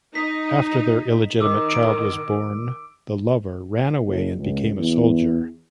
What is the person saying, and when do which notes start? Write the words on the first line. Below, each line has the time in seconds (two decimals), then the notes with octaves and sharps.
After their illegitimate child was born, the lover ran away and became a soldier.
0.15 D#4 B6
1.41 D#3 D6 E6
1.70 D7
4.07 F#1
4.39 C#2
4.79 E2